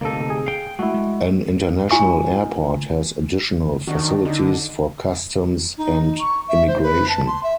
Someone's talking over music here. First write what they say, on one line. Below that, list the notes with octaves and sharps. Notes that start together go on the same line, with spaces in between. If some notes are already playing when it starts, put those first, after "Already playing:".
An international airport has additional facilities for customs and immigration.
D2 C3 A#3 D#4 A4
G#4
F5 G5
G#3 A3 E4 F#4
G#3
F4 G#5 C#6
D#3 D4 D#4 F#4
D3 D#4
D#4
C#6
E5
C5
B4
A5
C6
E5